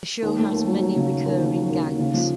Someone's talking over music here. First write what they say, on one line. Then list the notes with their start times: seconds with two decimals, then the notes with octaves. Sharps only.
The show has many recurring gags.
0.23 D#2
0.38 A3
0.53 D#2
0.68 F#3
0.82 F#3
0.96 C#3
1.11 D#2
1.26 D#2
1.41 C#3
1.56 F#3
1.70 D#2
1.85 D#2
1.99 C#3
2.14 F3